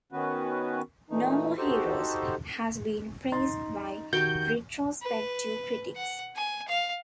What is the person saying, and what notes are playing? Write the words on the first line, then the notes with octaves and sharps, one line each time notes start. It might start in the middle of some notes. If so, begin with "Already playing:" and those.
"No More Heroes" has been praised by retrospective critics.
D#3 B3 C#4 F#4 B4
A#2 E3 A3 D#4
D#4 F#4 G4 A4 C5
D#4 C6 A6
D#3 F#4 G4 G6 D7
B4
F#5
G#5
F5